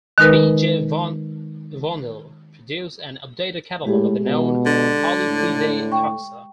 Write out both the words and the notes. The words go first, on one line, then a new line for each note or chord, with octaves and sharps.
B. J. van Vondel produced an updated catalogue of the known Haliplidae taxa.
D#3 G#3 D#4 A#4 B4
A2 G#3 G4 G#4
B2
D3
A2
G5 C#6